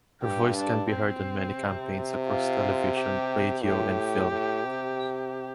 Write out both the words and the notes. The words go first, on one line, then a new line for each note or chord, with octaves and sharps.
Her voice can be heard on many campaigns across television, radio and film.
G2 G4
D4
C4
C3
F4
G4
A2 G4
A2
C3